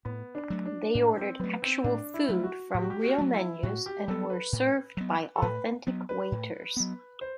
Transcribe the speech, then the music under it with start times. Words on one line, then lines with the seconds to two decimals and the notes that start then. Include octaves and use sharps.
They ordered actual food from real menus and were served by authentic waiters.
0.05 A2 B3
0.35 D4
0.50 F#3 A3
0.65 D4
0.94 A2 D4
1.17 C4
1.40 F#3 A3 B3
1.62 C4
1.84 A2 D4
2.14 E4
2.29 F#3 A3
2.44 F#4
2.74 A2 G4
2.82 F#4
2.90 G4
3.03 F#4
3.18 F#3 A3
3.33 E4
3.63 A2 F#4
3.86 G4
4.08 F#3 B3 A4
4.30 B4
4.52 A2
4.97 F#3 B3
5.36 A4
5.42 A2 B4
5.87 F#3 B3
6.09 B4
6.32 A2
6.76 F#3 B3
7.21 C5